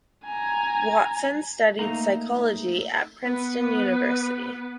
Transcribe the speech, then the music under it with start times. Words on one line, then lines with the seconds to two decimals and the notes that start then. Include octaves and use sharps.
Watson studied psychology at Princeton University.
0.24 G#5 A#5
1.79 A3 A#3 D#4 A#5
3.24 B3 B4